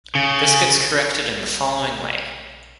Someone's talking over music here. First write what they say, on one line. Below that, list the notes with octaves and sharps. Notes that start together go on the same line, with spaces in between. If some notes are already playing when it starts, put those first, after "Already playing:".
This gets corrected in the following way.
C#3